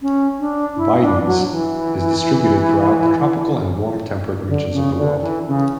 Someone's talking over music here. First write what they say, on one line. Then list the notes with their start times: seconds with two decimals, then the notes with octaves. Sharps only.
"Bidens" is distributed throughout the tropical and warm temperate regions of the world.
0.02 C#4
0.40 D4
0.76 E4
1.01 D4
1.26 F#3
1.51 E3
4.48 D3
4.73 C#3
4.98 D3
5.22 E3
5.47 C#3